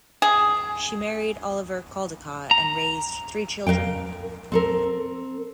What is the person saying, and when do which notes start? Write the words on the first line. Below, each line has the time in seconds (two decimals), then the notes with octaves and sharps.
She married Oliver Caldecott and raised three children.
0.22 G#4
2.51 A#5
3.67 A#4 C5 F5 G5
4.52 C4 A4 A#4